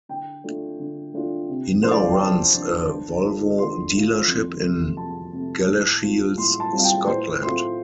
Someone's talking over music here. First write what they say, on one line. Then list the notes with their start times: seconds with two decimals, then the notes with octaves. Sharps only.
He now runs a Volvo dealership in Galashiels Scotland.
0.09 D3 G5
0.44 A3 D4 F4
0.79 D3
1.14 A3 D4 F4
1.49 C3
1.83 F3 D4 C5
1.91 D5
2.00 F5
2.10 G5
2.19 C3 A5
2.53 F3 D4
2.89 D3
3.23 A3 F4
3.58 D3 C6
3.93 A3 F4
4.28 F2
4.62 C3 A3
4.97 F2 A5
5.33 C3 A3
5.68 A2
6.02 G3 C4 F4
6.37 A2 C6
6.60 A5
6.73 G3 C4 F4
6.79 F5
6.84 G5
7.07 A2 C5
7.42 A3 C4 F4 C6